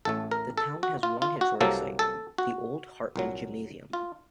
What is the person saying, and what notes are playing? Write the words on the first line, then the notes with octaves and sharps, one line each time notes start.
The town has one historic site, the old Hartman Gymnasium.
A1 A2 A3 A4
A#4
A4
F#4
F4
F4
F#4
C2 C3 F#3 A#3 A4
A4
F#4
C2 A#2 F#3
F4